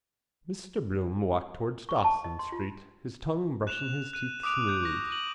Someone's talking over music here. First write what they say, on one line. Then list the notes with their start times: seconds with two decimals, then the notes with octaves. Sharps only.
Mr Bloom walked towards Dawson street, his tongue brushing his teeth smooth.
1.89 C#6
2.04 A5
2.24 D#5
2.39 C6
2.52 F4
3.67 F#6 E7 F7
4.13 F#6 D#7
4.43 D6 D#6 F#6 D7 F7
4.67 F#6 G6 D7
4.83 C#6 A#6
5.10 D#7 F#7